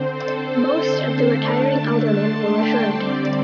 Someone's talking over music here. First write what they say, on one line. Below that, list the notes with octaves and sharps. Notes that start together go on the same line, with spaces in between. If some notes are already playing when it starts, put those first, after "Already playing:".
Most of the retiring aldermen were returned.
Already playing: D3 C4 C5
A4
C6
C6
D3 A3 D4 A5
A5
C6
G5
D3 G3 C4 D5